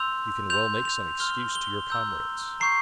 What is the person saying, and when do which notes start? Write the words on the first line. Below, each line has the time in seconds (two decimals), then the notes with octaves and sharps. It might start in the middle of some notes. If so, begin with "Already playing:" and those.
You can well make some excuse to your comrades.
Already playing: C6 E6 G6 F7
0.50 C6 E6 G6 F7
0.85 F7
1.20 C6 F6 G7
1.55 G7
1.90 A#5 E6 G6
2.60 A#5 C#6 G6 C7